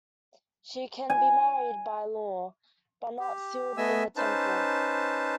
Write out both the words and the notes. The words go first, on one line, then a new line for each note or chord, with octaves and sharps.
She can be married by law, but not sealed in the temple.
G#5
G4
A3 B3 D#5 E5 G#5 E6
C#4 D#4 B4 C5 A5